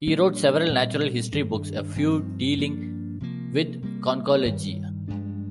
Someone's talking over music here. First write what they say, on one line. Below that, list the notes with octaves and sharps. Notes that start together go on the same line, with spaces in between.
He wrote several natural history books, a few dealing with conchology.
A#2 G3 A#3 D4
A#2 G3 C4
G2 D#3 G3 D4
G2 F3 C4
G2 F3 A#3 D4
C3 F3 A#3
C3 G3 A#3
G2 D#3 G3
G2 F3 G#3 D4